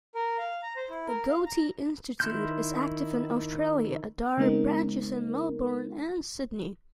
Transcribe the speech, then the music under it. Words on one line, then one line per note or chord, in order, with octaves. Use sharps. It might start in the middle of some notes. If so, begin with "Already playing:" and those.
The Goethe-Institut is active in Australia, there are branches in Melbourne and Sydney.
A#4
F5
A#5
C5
E4
A#4
F5
A#5
D#3 E4 C6 F6 G6
C#3 G#3 B3 C4 D#4 A#4